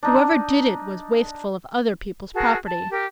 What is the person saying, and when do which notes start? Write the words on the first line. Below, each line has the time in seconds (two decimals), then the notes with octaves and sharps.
"Whoever did it was wasteful of other people's property."
0.03 D4 D#4
2.34 F#4 G#4 A#4 A5
2.66 A5
2.89 G4 A#4